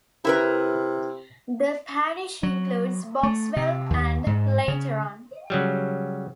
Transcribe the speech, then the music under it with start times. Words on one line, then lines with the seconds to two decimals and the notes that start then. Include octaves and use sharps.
The parish includes Boxwell and Leighterton.
0.24 C3 E4 A#4 B4
2.43 F#3
3.23 A3
3.56 C3
3.90 D#2
4.26 G#2
4.68 C#3
5.50 C#3 F#3 G3